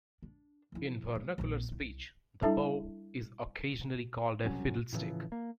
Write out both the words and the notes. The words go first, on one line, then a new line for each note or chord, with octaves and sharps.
In vernacular speech the bow is occasionally called a "fiddlestick".
D4
F3 E4
G#3
A#1 C4
C2
G3 D4 E4 A4 E5 A5
E1 C2 F#3 C#4
A2 C#3 E3 F3
A#3